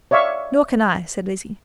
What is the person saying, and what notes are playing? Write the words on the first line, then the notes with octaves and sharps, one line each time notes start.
"Nor can I," said Lizzie.
C#5 D5 E5 F5 C#6